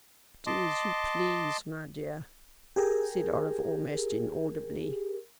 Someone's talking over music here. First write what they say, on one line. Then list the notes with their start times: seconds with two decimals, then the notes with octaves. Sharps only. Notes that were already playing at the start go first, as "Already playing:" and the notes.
"Do as you please, my dear," said Olive, almost inaudibly.
0.47 D#5 A5 C6 D6
2.76 G4 G#4 A#4